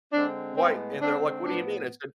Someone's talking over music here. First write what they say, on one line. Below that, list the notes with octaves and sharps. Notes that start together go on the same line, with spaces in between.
Why, and they're like, "What do you mean?" I said,
D3 G#3 C4 D4
A2 G#3 B3 C4
D3 G#3 C4 D4
A2 F3 B3 D4